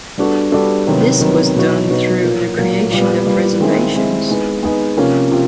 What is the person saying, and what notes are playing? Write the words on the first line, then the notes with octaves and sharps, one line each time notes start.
This was done through the creation of reservations.
G3 B3 D4 F#4 A4
G3 B3 D4 F#4 A4
C3 D#3 F#3 B3
C3 D#3 F#3 B3
B2 F#3 B3 D#4 F#4
B2 F#3 B3 D#4 F#4
A#2 F#3 A#3
A#2 F#3 A#3
A#2 G3 B3
A#2 G3 B3
D#3 G#3 C4 E4
D#3 G#3 C4 E4
G#3 B3 D#4 G#4
G#3 B3 D#4 G#4
C3 F3 A#3 C#4
C3 F3